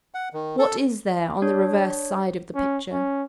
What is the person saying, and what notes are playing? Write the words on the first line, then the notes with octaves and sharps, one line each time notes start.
What is there on the reverse side of the picture?
F#5
D#3
A4
D4 C#5
C#4
C#4